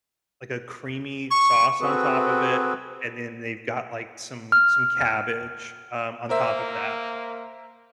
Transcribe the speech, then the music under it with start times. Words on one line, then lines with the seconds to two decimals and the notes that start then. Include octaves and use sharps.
like, a creamy sauce on top of it, and then they've got, like, some some cabbage, um, on top of that.
1.31 C#6
1.81 C4 F#4 G#4 A4 B4
4.52 F6
6.29 A#3 A#4 C5 E5